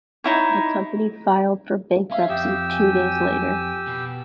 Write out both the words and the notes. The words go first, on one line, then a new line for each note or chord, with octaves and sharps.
The company filed for bankruptcy two days later.
D#4 E4 C#5
C#4 E5 F5
F2 G4 F5 D#6 E6
G#5
B2